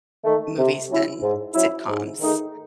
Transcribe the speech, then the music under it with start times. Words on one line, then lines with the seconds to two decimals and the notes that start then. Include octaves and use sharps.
movies and sitcoms.
0.24 D#3 A3
0.58 C3
0.90 F#3 C#4 E4
1.22 G#2
1.55 F#3 C#4 E4
1.88 G#2
2.20 D#3 A3 D#4 G#4